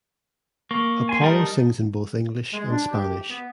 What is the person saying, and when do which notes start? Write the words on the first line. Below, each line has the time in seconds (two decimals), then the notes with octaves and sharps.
Apollo sings in both English and Spanish.
0.71 A#3 C#6
1.09 G#5 C6
1.21 G3 D#4 A#4 A5
2.53 G#3
2.69 D4
2.91 G4
3.29 B3